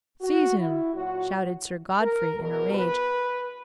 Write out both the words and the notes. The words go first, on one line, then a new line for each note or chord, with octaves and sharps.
"Seize him!" shouted Sir Godfrey in a rage.
F#4
E4
A#2 F#3 F#4
A#4
E2 B2 F#3 A#4
B4